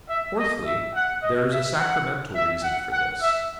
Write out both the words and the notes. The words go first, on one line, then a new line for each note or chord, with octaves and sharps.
Fourthly, there is a sacramental reason for this.
E5
D#5
E5
F#5
D#5
E5
F#5
E5
F#5
F#5
E5